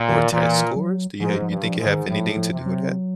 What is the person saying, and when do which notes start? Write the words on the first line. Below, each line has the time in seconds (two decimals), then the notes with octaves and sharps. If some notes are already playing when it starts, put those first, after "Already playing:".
or test scores? Do you ha do you think it have anything to do with that?
Already playing: A#2
0.09 D#3
0.32 A#2 E3
0.76 F#3
1.20 G#2 F3
1.42 F3
1.50 G2
1.63 F3
1.78 G#2
1.86 D#3
2.09 A2 F3
2.37 F3
2.53 C3
2.66 F#3